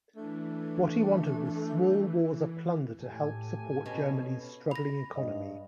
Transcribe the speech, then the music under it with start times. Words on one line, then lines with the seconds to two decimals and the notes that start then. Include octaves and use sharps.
What he wanted was small wars of plunder to help support Germany's struggling economy.
0.16 E3 A3 D4
3.00 A2 G4 A4 G#5
3.86 B2 C#4
4.71 B5 A#6
5.16 G2 D#5